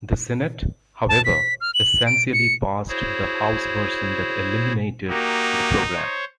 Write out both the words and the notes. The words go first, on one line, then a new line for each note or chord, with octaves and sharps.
The Senate, however, essentially passed the House version that eliminated the program.
A5
B6
F6
F#7
D7
C#7
E4 F#4 G#4 C5 C#5
A#3 D#4 F#4 G4
C5 C#5